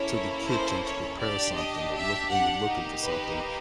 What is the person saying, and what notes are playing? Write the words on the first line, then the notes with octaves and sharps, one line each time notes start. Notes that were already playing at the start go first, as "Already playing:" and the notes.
to the kitchen to prepare something or look and you're looking for something,
Already playing: A#3 C#4 E4 A4 C#5
C5
C#5
D4 G4 D5
D#5
E5
F#5
A#3 D#4 G4
B4